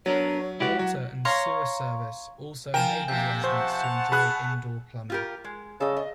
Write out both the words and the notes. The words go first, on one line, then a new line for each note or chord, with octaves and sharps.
Water and sewer service also enabled residents to enjoy indoor plumbing.
F#3 B3 D4 A#4 C#5
G#3 E4 F#4 G4 B4 D5
F#3 F#4 F#5
C#5 F5 A#5 C6
F3 A#4 G5 G#5 E7
C3 F3 A#3 G6
C5 F#5 A5 C#6 E6
F7
G#4 B5 F#6
F4 G4 A#4
G#3
C#3 A4 D#5
D#5